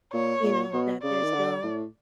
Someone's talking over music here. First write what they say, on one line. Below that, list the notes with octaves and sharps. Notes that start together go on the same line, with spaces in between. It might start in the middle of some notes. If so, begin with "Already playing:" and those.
you know, that they're still
A#2 C#5
A#2
B2
C#3 D5
D#3
D3
A2